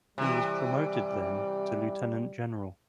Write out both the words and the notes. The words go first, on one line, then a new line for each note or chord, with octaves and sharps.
He was promoted then to Lieutenant general.
C3 E3 G3